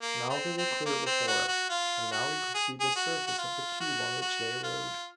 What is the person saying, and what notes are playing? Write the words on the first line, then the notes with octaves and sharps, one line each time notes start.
Now they were clear before us, and now we could see the surface of the cube on which they rode.
A#3
C4
C4
A#3
C4
F#4
F#4
F4
F#4
G#4
G#4
F#4
F#4
F4
F#4
F#4
F4